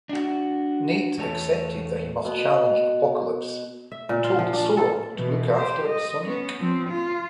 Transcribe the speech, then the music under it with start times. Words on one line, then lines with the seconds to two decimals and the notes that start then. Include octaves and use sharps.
Nate accepted that he must challenge Apocalypse, and told Soaron to look after Sonique.
0.09 D4 F#4
1.18 E2 A3 C#5 A5
2.25 B2
3.92 E5
4.09 A#2
4.24 F4
4.39 F3
4.53 D4
4.65 C#4
4.77 A4
5.14 B2 E3
5.57 G4 C5
5.87 D#5
6.27 B3 C#4
6.60 F3 C4
6.90 F4